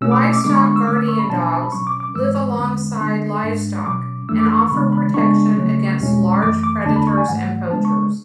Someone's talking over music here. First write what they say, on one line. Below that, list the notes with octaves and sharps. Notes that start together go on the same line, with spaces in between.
Livestock guardian dogs live alongside livestock and offer protection against large predators and poachers.
B2 A3 C#4 E6
D6
E6
D6
D3 G#3 B3 D4 D6
B5
C#6
E6
D3 A3 C#4 D6
E6
C#6
B5
B2 F#3 B3 D4 A5
G#5
A5
B5
B2 F#3 C#4 C#6
D6
D6
G#2 E3 G#3 E6
E2 D3 G#3 C#4
D3 G#3 B3 D4
G#2 G#3 D4
B2 F#3 C#4 D6
F#2 E3 A3 D4 E6
D6
E6
C#6
C#3 E3 G#3 B3 D4 B5
B5
C#3 G#3 B3 D4 C#6
C#3 F#3 A3 C#4
E2 B2 G#3 C#4
F#2 E3 A3 D6
D6
E2 D3 A3 D4 A5
B5
C#6
G#5
G#2 E3 A3 F#5
C#3 G#3 B3 D4 A5
C#6